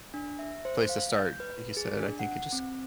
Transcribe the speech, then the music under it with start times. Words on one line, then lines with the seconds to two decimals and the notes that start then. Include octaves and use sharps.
place to start. Like you said, I think you just
0.14 D4
0.39 E5
0.65 C5
0.89 F5
1.16 G6
1.40 B4
1.77 G#4
1.99 D4
2.19 F#5
2.53 C4